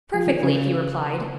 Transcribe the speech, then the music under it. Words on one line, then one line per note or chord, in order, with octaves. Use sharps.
"Perfectly," he replied.
F3
D#3
C#3